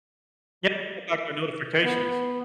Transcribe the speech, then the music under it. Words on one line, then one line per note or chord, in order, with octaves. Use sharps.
Yeah, with like the notifications.
B3